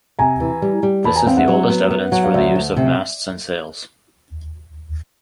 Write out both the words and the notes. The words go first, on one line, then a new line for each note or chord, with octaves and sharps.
This is the oldest evidence for the use of masts and sails.
C3 G#5 A#5
E3
G3
G3
E2 A5 B5
G#5 A#5
C4 F5 G5
E5 F#5
F#3
B3
B3
F#3 F#5
F5
D2 D5 E5
D2
C3